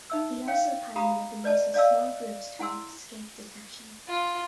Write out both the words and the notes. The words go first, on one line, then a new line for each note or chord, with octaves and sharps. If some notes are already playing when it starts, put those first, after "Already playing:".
He also pioneered the use of small groups to escape detection.
D#4 E5 E6
C#5 F5 G5
G4 F5 A#5 B5 D#6
B4 D5 D#5 A5
D5 D#5 F5 A5 E6
E4 F#5 G#5 C6 E6
F4